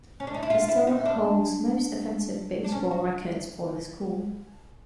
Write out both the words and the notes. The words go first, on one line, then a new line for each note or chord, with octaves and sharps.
He still holds most offensive baseball records for the school.
C#4
D4
D#4
E4
F4
E4
D#4
D4
D4
C#4
F#4